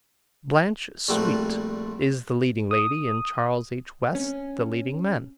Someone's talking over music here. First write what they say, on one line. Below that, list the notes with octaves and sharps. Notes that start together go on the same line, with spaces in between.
Blanche Sweet is the leading lady, and Charles H. West the leading man.
A#1 A#2 G3 A3 C4 F#5
D#6
C#4